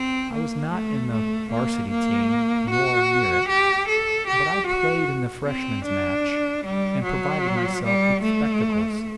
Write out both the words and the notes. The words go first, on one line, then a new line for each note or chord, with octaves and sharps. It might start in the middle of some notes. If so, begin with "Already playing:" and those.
I was not in the 'Varsity team, nor near it; but I played in the Freshman's match, and provided myself with spectacles.
Already playing: C4
A#3
A3
A3
A#3
A#3
F#4
G4
A4
G4
F#4
C4
D4
G3
F#3
G3
A3